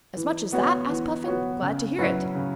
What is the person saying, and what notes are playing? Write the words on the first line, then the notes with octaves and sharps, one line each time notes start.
"As much as that?" asked Puffin, "Glad to hear it."
E3
B3 F#4 C#5
E3
B3 F#4 C#5
C#3
F#3 C#4 E4 B4
C#3